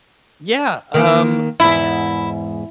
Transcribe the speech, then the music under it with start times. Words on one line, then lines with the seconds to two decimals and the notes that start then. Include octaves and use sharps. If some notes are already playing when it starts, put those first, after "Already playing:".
Yeah. Um, man,
0.94 D#3 A#3
1.60 E2 G#2 E4